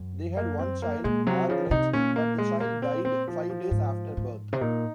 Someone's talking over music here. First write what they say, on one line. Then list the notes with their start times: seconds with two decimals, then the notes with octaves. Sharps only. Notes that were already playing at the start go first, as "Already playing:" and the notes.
They had one child, Margaret, but the child died five days after birth.
Already playing: F#2
0.37 A#3
0.59 C4
0.82 A#3
1.04 A#2 G#3
1.27 C3 F#3
1.49 C#3 F3
1.71 C3 D#4
1.93 A#2 C#4
2.16 A#3
2.38 G#3
2.60 A#3
2.82 C4
3.05 C4
3.28 F3
3.50 F3
3.71 G#2
4.17 G#2
4.53 C3
4.61 A#2 D#4